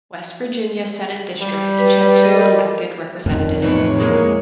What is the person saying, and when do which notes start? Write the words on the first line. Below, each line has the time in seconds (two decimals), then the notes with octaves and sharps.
West Virginia Senate districts each have two elected representatives.
1.42 G3
1.79 B4
2.22 A4 A#4 D#5
3.26 F2 D#3 C#4
3.62 A2 C3 E3 D#4 C#5
3.98 E3 G#3 A#3 A#4